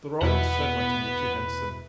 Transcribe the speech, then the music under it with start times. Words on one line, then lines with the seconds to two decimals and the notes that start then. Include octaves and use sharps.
The role instead went to Nicky Henson.
0.22 E2 B2 B3 E4 B4 F#5